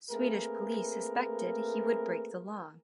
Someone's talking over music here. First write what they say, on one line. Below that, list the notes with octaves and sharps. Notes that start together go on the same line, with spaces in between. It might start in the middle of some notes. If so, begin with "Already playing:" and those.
Swedish police suspected he would break the law.
A3 A#3 C4 G#4 A#4 B4